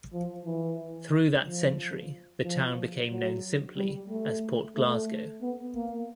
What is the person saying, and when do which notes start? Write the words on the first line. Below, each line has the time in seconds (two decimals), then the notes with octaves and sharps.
Through that century the town became known simply as Port Glasgow.
0.13 F3
0.45 E3
1.45 F3
2.44 F3
3.10 F#3
3.76 G3
4.09 A3
4.75 A3
5.42 B3
5.74 A#3